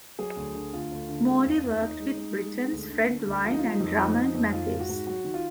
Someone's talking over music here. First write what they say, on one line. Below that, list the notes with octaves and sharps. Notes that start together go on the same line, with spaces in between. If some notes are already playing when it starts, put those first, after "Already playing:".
Morley worked with Britons Fred Vine and Drummond Matthews.
F#3 G#4
D2
D3
D2 F4
D2
D3
G#3
D#2
D#2
D#2 D#4
G#3
G#3
G#3
G#3
D2
D3
D3
D2
F3 F4
D#4
G#3 F4
D#4
F2
F3 D#4
F2
F2
D#3 F4
G#2
F#4
G#2
F#3 F#4
D#3
F4